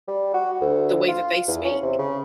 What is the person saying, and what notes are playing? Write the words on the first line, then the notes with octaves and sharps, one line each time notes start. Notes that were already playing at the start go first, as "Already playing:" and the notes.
the way that they speak.
G3
F#4
D2
F4
E2
C#4
C3
C#3